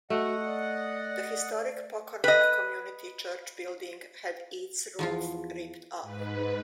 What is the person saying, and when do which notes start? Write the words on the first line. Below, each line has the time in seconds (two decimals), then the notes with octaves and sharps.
The historic Poquonock Community Church building had its roof ripped off.
0.10 A3 F#4 D#5 F#5
0.45 D5
2.24 B4 D#5
4.99 E2 F3 F4
6.02 G#2 B4